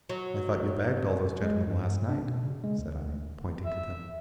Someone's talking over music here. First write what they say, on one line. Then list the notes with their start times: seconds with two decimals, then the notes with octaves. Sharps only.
"I thought you bagged all those gentlemen last night," said I, pointing to them.
0.09 F#3
1.42 G#3
1.67 G2
2.09 D4
2.24 B2
2.43 C#3
2.64 G#3
2.79 D2
3.04 D2
3.65 E5